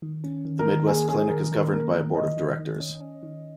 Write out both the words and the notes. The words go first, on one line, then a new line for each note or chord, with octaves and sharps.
The Midwest Clinic is governed by a Board of Directors.
D#3
C#4
D#3
A#4
D#3
A#3 G#4
C#4 G#4
D#3 A#4
D#3 A#4
A#3 A#4
D#3
D#3 D#5
D#3
D#3
C#4
C#4
D#3